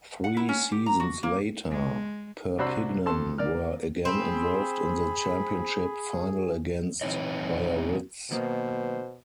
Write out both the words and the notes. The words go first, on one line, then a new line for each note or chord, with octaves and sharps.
Three seasons later Perpignan were again involved in the Championship final against Biarritz.
F#5
E4
C#4
G4
A#5
F#4
A#3
G#3
C2 D4 F#4 C5 B5 E6
F2 A4 A5 C6
A#3 D5 F6
C4 G#4 B5
E3 C4 C#4 D#4 C#5 D#5
B1 B2 D#3 A#3 C5